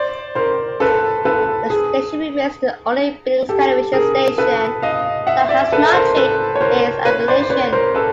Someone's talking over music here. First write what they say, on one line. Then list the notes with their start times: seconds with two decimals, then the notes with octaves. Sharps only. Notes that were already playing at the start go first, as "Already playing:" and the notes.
The station remains the only Billings television station that has not changed its affiliation.
Already playing: C5 D5
0.35 A#4 C5
0.80 A4 B4
1.25 A4 B4
1.70 G#4
3.49 G4 A4
3.93 G#4 A#4
4.38 A4 B4
4.82 D#5 F5
5.27 E5 F#5
5.49 D5 E5
5.72 A4 B4
5.94 A#4 C5
6.17 A4 B4
6.55 C#5
6.61 A#4 C5
7.05 B4 C#5
7.28 C5 D5
7.40 C5
7.50 B4 C#5
7.73 A#4 C5
7.95 A4 B4